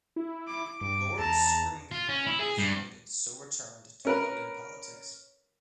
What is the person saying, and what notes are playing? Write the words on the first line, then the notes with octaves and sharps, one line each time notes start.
Lord Scrymgeour was wounded so returned to London politics.
E4
D6
G2 D6
E2 A5 A#5
F4
C#4
E4
G#4
G2
C#4 A#4 B4